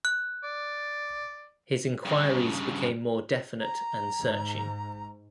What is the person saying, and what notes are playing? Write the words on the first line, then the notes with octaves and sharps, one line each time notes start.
His enquiries became more definite and searching.
F#6
D5
G2 C#3
A#5
G#2